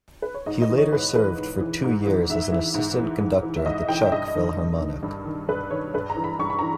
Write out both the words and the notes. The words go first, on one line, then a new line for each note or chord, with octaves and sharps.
He later served for two years as an assistant conductor at the Czech Philharmonic.
B4
C#5
G#2 D#5
D#5
E3
C#5
G#2 B4
E3 B4
G#2
E3
G#2
E3
G#2 E5
E3
G#2
E3
G#2
E3
E5
G#2 D#5
E3 G5
E5
G2 D#5
D#3
G2
D#3
G2
D#3
G2 B4
D#3 C#5
G2 B4
A#5
E3
B5
G2 C#6
B5
E3 A#5